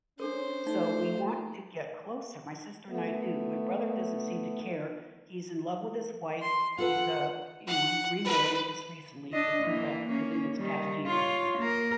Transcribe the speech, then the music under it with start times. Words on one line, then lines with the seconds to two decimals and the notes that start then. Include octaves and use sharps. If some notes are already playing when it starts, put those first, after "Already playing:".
So, we want to get closer; my sister and I do. My brother doesn't seem to care. He's in love with his wife, he's, uh you know, he's remarried just recently, just abou within this past year.
0.20 C#4 D4 A4 A#4 C5
0.67 A3 D#4
2.88 A3 B3
6.42 C6
6.78 F4 A4 B4 F#5
7.67 F#5
8.24 B4
9.33 D4 D#5
9.64 E3 A#3
10.09 A#3 C#4
10.56 D#3 G3
11.06 F4 C#5
11.58 A#3 A#4